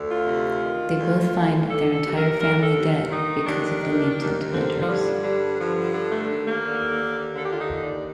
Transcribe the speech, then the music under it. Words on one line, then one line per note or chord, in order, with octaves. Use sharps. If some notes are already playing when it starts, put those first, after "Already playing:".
They both find their entire family dead because of the mutant hunters.
Already playing: D2 D3
F4
C3
D#3
D2
D2
D3 A4
A4
D#2
A#4
D3 A#4
A4
D#2
D#3 D#4
D#2 D4
D#3
D#2
D3 C4
F3
G2 G3
D3 G3
G2 F3
D3
A3
D#2
A#3
D3
D#2
D3 A4
G4
F4
D#4
D#2
D5